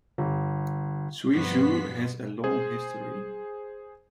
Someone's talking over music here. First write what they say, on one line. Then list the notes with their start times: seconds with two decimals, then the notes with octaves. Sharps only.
Suizhou has a long history.
0.18 G1
1.33 G2 F3 B3 F#4 C6 B6
2.44 G#4 C5